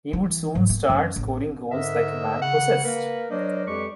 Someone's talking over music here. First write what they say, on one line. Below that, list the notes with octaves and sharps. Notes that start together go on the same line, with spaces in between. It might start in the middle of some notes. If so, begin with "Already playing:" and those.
He would soon start scoring goals like a man possessed.
E3
G#2
A#3
F#2
A1
G#2 D3 A#4 D#5 E5
C#3 F#5
A#3 A#4 B4
F#3 D4 A#4 C5 D5 D#5
F2 G#3 G4 B4 D5 C#6